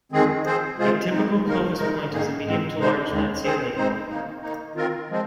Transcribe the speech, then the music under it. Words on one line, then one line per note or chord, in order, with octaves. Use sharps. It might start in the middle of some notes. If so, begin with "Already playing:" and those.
A typical Clovis point is a medium to large lanceolate point.
F2 D#3 G#3 C4 G#4
F3 C4 G#4 C5
C3 G#3 F4 G#4 C5
D#3 C4 D#4
F2 D#3 A#3 D#4 A#4
C3 G#3 D#4 A#4
G#2 D#3 A#3 D#4 G#4
G#2 G#3 C4
C3 G#3 D#4 C5
D#2 D#3 G#3
D#3 C4 G#4 C5
G#2 G#3 C4 D#4 C5
D#3 A#3 D#4
D#3 A#3 D#4
D#3 C4 F4 A#4
F3 G#3 C4